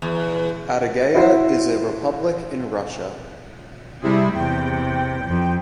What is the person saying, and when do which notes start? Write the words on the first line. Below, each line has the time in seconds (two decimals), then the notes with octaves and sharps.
Adygea is a republic in Russia.
0.02 E2
1.14 E4 F#4 C5
4.02 C3 G3 E4 G#4
4.34 E2 C3 G5
5.24 F2 F3